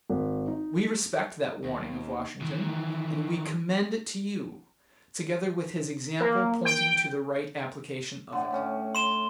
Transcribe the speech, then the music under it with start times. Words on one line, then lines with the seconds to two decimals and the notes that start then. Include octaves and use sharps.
We respect that warning of Washington, and we commend it to you, together with his example pointing to the right application of it.
0.10 G#1
0.48 D#4
1.64 D#2
2.41 D#3 E3
6.20 A#3
6.65 G5
8.32 A2 D3
8.52 A2 C#4
8.95 C6 E7 G7